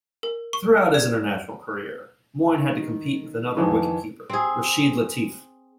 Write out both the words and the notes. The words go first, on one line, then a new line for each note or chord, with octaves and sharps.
Throughout his international career, Moin had to compete with another wicket-keeper, Rashid Latif.
A#4
C#6
D5
D#3
F2 D#3 E3
C4 G#4